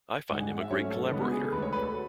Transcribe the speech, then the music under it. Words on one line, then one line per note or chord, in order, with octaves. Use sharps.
I find him a great collaborator.
G#2 G#3 D4 F#5
G#5
F#5
E5
G#2 F#3 A3 C#4 C#5
A4
C#3 G#3 B3 D4
F#4
G#4
A4
D2 D3 G#3 B4
C#5
B4
A4
F#4